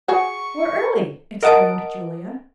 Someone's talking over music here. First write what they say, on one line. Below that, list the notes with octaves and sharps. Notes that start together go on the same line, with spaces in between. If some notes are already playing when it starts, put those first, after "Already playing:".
"We're early!" exclaimed Julia.
F#4 G#4 C#6
A#4 D#5 F#5 A5 D#6 D7